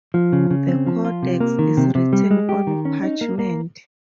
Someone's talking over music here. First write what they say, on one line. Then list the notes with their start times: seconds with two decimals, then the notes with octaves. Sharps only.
The codex is written on parchment.
0.14 F3
0.33 C#3
0.50 C#3
0.68 C4
0.86 F3
1.05 F4
1.23 C3
1.40 A#3
1.59 D#3
1.77 C3
1.95 C3
2.13 G3
2.31 G#3
2.49 G4
2.67 D#3
2.85 C#4
3.03 D#4
3.21 A#3
3.39 A#3